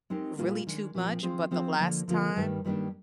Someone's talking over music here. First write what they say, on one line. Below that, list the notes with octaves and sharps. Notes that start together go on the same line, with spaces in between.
really too much, but the last time
G#3 C4 D#4 G4 A#4
A#2 G3 A#3 F4
D#3 G#3 D4
A#2 F3 C4
F3 C4 F4 G#4 C5
F3 C4 F4 G#4 C5
D3 F3 A#3
D3 F3 A#3 F4
G2 D#3 G3
G2 D#3 G3 A#3 D4